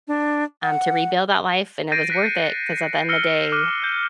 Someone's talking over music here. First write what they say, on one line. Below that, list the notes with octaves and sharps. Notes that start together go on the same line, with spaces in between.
um, to rebuild that life, and it was worth it, 'cause at the end of the day,
D4
F#5
G6 A6 A#6 C7 D7 D#7
F#6 B6 C#7
C7
E6 F6 A#6 C#7 G7
D6 F6 F#6 D#7
F#6 G6